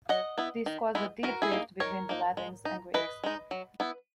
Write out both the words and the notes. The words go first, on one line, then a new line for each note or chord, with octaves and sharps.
This caused a deep rift between the Latins and Greeks.
F#3 D#5 F#5
B3 E4
D#3
G#3 B3 E4
E3 F#4 A#4
E4 G#4
A#3 D#4
D#3 A#4 C#5
A#3 D#4
G#3
D#4
E3 B4 D#5
G#3 D#4
F#3
B3 E4